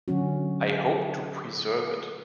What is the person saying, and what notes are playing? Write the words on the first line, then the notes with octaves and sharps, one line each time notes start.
I hope to preserve it.
D3 F#3 C#4 F#4